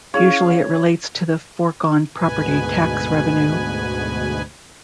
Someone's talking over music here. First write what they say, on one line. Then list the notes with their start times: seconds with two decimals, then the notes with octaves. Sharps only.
Usually it relates to the foregone property tax revenue.
0.14 C#4 E4 G#4 C#5 F5
2.16 D2 G#2 B2 B4 G#5